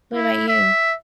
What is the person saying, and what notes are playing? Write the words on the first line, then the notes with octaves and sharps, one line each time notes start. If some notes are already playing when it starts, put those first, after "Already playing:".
What about you?
E4
E5